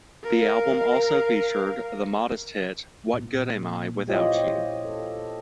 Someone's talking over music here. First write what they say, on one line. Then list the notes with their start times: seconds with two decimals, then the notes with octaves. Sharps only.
The album also featured the modest hit "What Good Am I Without You?".
0.24 A#4 F5
3.14 A#2
4.07 E4 F4 G4 C5 C#5 D#5
4.85 A4